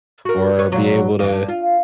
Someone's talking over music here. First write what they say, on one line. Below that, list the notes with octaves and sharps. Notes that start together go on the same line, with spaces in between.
or be able to
F#4 A#4
B4 C#5
A#2 F#3
F2 E3
G2
F4